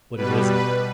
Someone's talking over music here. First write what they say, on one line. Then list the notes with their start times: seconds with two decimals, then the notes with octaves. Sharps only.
But it isn't.
0.16 B2 G3 B4
0.50 B4